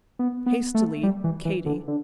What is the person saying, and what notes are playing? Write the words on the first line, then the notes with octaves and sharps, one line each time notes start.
Hastily, KATY.
B3
B3
A3
G3
E3
E3
D3
D3